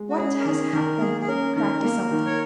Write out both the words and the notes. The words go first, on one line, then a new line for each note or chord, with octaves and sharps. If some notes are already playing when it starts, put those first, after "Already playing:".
What has happened?' cried the Sultan.
Already playing: G#3
F#4
C#4 G#4
A#4
D#3 G#4
D#3 A#4
A#3 G#4
G#4
C#4 A#4
D#3 A#4
A#3
D#3
C#5